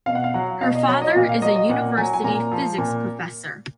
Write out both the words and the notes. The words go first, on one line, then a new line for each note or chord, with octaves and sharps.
Her father is a university physics professor.
B2 F5
F#5
F5
F#3 F#5
B2 F5
D#5
F#3 C#5
D#5
A#2 F5
F5
F#3 D#5
D#5
A#2 F#5
F#3 G#5
G#5
A#2 A#5
F3
A#2